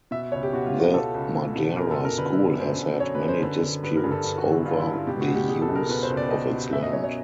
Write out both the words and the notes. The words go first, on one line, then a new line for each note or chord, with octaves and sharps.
The Madeira school has had many disputes over the use of its land.
B2 E5
C#2 C#5
G4
B2 F#4
F4
B2
F#4
B2 A4
C#2
B2
B2
F#2 A#4
A4
F#2
A#4
D3 B4
D3
F#2 C5
F#2
F#2 C#5
B4
F#2
C5
D3 B4
D3
G2 B4
A#4
G2
A4
G2
F#4
D3
F#4
G2 F4
E4
G2
F4
B2 G4
F#4
C#2
G4
B2 G#4
A4
C#2
A#4
B2 B4
C5
C#2
D5
B2 D#5
B2
F#2 E5
D#5
F#2 C#5
C#5